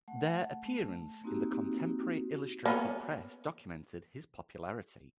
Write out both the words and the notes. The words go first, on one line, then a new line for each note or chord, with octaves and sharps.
Their appearance in the contemporary illustrated press documented his popularity.
A3 F#5
A3
A#3 C4 D#4 E4 F#4 G4
A#3 B3 C#4